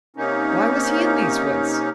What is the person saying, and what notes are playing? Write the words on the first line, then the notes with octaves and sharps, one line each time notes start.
Why was he in these woods?
C3 A#3 C#4 D#4